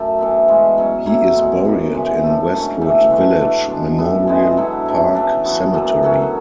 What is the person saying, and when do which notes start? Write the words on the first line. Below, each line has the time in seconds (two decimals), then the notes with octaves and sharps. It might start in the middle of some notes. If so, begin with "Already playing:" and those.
He is buried in Westwood Village Memorial Park Cemetery.
Already playing: F#2 A3
0.19 E3 B3 E4
0.48 G#2 G#3 C#4
0.78 B2 F#3 C#4
1.06 A2 F#3 C#4 E4
1.36 B2 G#3 B3
1.65 F#2 C#3 F#3
1.94 G#2 E3 G#3
2.23 F#2 D3 A3
2.53 G#2 F#3 A3 C#4
2.81 A2 E3 A3
3.10 E3 G#3 D4 F#4
3.40 D3 A3 D4 F#4
3.69 B2 G#3 D4
3.98 A2 E3 B3
4.27 E3 G#3 B3
4.57 D3 F#3 B3 E4
4.86 C#3 E3 A3 E4
5.15 E3 A3 D4
5.45 C#3 F#3 B3 F#4
5.74 F#2 E3 A3
6.03 D3 F#3 C#4 F#4